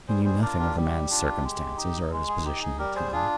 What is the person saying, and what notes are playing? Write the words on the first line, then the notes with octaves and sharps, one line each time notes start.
He knew nothing of the man's circumstances or of his position in the town.
G3 G#4 C5
G#4 C5
D4 F4 A#4 D5
G4 A#4
G3 G4
D4 F4
G#3
D#4
G#3
G#4
D#4 G4
G#4
G3 G4 A#4
G#4 C5
D4 F4 G#4